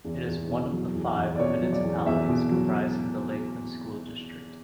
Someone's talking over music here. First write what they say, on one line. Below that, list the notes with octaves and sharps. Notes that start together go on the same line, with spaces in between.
It is one of the five municipalities comprising the Lakeland School District.
E2
E2
B2
F#3
E2
E2
D5
B2 C#5
F#3
D5
E2
E2 E5
B2
F#3